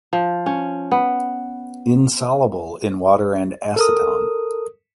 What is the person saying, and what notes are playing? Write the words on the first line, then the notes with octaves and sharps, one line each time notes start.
Insoluble in water and acetone.
F3
C#4
B3
A4 A#4 D#6